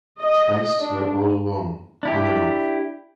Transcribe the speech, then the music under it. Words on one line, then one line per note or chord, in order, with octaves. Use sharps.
Traced her all along, on and off.
D#5
D4
D4 E4 G4